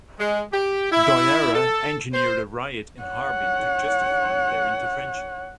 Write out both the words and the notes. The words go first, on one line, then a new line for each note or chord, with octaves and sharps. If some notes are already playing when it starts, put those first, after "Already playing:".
Doihara engineered a riot in Harbin to justify their intervention.
G#3
G4
E4
A4
C5
C#5 F#5